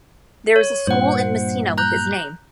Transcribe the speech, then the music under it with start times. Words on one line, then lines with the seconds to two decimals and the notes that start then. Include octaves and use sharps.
There is a school in Messina with his name.
0.56 C#5
0.87 G2 A#2 C5 F#5
1.78 A#5 F#6 G6